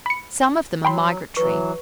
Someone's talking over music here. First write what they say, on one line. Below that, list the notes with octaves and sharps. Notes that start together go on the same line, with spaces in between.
Some of them are migratory.
B5 C#7
F#3 G5 B5 C6
E3 F#3 B4 C#6